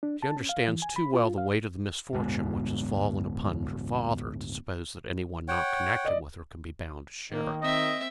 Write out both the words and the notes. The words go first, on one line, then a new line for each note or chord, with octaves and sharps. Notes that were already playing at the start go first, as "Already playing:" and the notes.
"She understands too well the weight of the misfortune which has fallen upon her father, to suppose that any one not connected with her can be bound to share it."
D4
A5
C#4
F5
E3
G#5
B5
F4
F5
D1 G1 B2 G#3
C#5 F#5 G5
D5 D#5
D#3 A#3
C4 D#5 E5